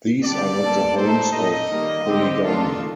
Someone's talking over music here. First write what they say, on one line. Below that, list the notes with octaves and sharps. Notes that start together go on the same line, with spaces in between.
These are not the homes of polygamy.
D3 G3 D4 G4 D5
A2 G3 A#3 D4 A4
A#2 A3 D#4 A4 C5
A#2 A3 D#4 D#5
D#3 G3 A#3
D3 G3 C4 G4
D#3 A3 D4 F4 A4